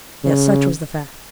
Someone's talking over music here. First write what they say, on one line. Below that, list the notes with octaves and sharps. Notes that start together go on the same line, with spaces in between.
Yet such was the fact.
C#3